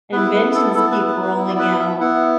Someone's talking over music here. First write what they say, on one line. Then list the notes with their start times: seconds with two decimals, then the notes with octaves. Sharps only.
inventions keep rolling out.
0.12 B3 E4 B4
0.34 B4
0.55 A4
0.74 B3 E4 A4
0.91 B4
1.07 B4
1.22 B4
1.37 B3 E4
1.49 D5
1.59 B4
1.79 E5
2.00 B3 E4 F#5